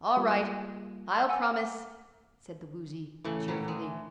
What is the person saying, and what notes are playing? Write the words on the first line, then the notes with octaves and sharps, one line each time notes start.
"All right; I'll promise," said the Woozy, cheerfully.
G3 A#3 F4
F#5 G#5 E6
A2 C#3 E3 A3
A#2 F#3 G3
G#3